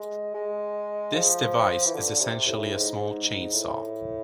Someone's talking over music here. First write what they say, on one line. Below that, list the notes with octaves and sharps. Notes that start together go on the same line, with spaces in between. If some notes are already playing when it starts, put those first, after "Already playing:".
This device is essentially a small chainsaw.
Already playing: G#3
G#3
F3
E3
D3
C3
A2
G#2
G#2
A2